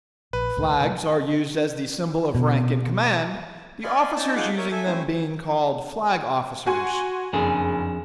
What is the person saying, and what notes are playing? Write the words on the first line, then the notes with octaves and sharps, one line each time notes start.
Flags are used as the symbol of rank and command, the officers using them being called flag officers.
A#1 B4
C#2 A2
C3 E3 A3
B2
D5 D#5 F5 G#5 B5 C6
C#4 D#4 D5 A5
D#4 F4 G#4 F#5 D6
A#4 C#5 E5 G6
A4 E5 G#5
A3 C4 C#4 E4 C5 G#5
F#4 G#5 C6
F#1 F2 D4 G#4